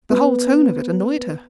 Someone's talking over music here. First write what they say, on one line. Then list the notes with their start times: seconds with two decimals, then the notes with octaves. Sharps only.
The whole tone of it annoyed her.
0.10 B3